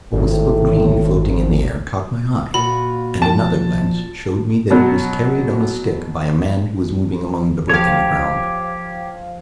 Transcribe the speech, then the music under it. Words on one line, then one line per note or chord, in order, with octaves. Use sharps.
A wisp of green floating in the air caught my eye, and another glance showed me that it was carried on a stick by a man who was moving among the broken ground.
G#1 A2
A#2 F4 F#4 B5
F3 A5
B2 F#3
F3 G4 C#5 F5